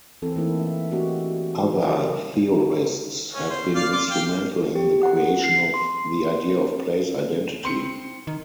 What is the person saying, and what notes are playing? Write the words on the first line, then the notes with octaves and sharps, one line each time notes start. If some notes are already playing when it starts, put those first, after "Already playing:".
Other theorists have been instrumental in the creation of the idea of place identity.
E3 C4 A4
E3 A3 A#3 D#4 E4 A#4
E5
A3 C4 D4 F#4 G4 D#5
F#3 G3 C#4 G4 A4 A#4
C#4
C5
D5 F5 F6
F4 D6
F5 G5
G4
F#5
C7
C6
C4 C6 C#7
D#3